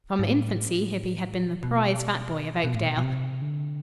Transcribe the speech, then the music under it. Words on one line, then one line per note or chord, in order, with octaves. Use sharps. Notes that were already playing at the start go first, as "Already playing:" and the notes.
From infancy Hippy had been the prize fat boy of Oakdale.
G#2
A2
B2
A2
B2
B2
A2
B2
B2
C3
D3